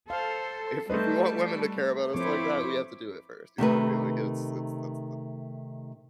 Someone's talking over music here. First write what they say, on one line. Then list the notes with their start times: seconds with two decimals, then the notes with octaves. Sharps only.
If if we want women to care about us like that, we have to do it first," you know what I mean? Like, it's it's that's
0.10 A4 C5 F5
0.90 G3 A3 D#4 B4 C5 D#5 A5
2.15 F3 C4 E4 A4 C5 C#5 D6
3.58 C3 D#3 A3 B4